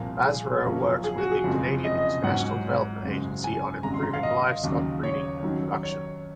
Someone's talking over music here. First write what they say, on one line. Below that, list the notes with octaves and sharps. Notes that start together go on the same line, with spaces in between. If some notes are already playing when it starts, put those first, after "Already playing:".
Basrur worked with the Canadian International Development Agency on improving livestock breeding and production.
Already playing: C2 A#2 F3 A#3
G#4
F#1 F#2 F3 A#3 C#4
G#4
F#4
G#4
F#1 F2 C#3 G#3
D#5
D#5
G#2 F#3 C#4 F#5
F#1 F#2 C#3 G#3
G#5
G#1 F#2 C#3 G#3 A#5
C6
A#5
F5
D#5
D#2 C#3 F#3
C#5
F#2 D#3 F#3
C#5